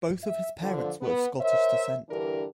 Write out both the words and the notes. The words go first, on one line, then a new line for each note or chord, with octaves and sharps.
Both of his parents were of Scottish descent.
E5
D3 F3
B3
A#4 C5 C#5 E5
G2 D3 E3 D4 G4 A#4